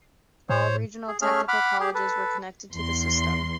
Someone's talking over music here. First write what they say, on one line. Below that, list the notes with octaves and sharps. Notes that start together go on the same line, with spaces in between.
All Regional Technical Colleges were connected to the system.
A2 C5 C#5
G#4
A3 C#4 G#4 F6
F#5 B5 D6 F6
G4 G#4
A4 B4
E2 C6